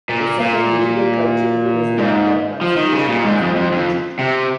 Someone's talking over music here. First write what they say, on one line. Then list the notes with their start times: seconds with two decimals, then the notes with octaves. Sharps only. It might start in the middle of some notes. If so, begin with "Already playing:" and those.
The second legal criterion is that the constitution must be rigid.
0.09 A#2
0.40 A#2
1.98 G#2
2.61 F3
2.77 D#3
2.92 C#3
3.08 A#2
3.24 G#2
3.41 F2
3.55 F2
3.72 F2
4.19 C3